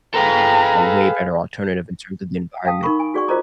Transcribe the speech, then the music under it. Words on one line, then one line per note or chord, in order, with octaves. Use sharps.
a way better alternative in terms of the environment
G#4 A4 B4 F5 G5 A#5
F5 G5 A5 D#6
D#4 A#4 B5 C#6
G#5
F#4 G#4 D5 F#5 C#6
F4 A#4 C5 D#5 A#5 D6